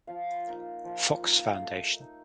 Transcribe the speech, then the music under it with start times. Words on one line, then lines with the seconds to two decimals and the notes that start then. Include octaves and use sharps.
Fox Foundation.
0.07 F3 F5
0.47 A#3 D#4
0.84 F3
1.23 A#3 D#4
1.62 A3
2.01 D#4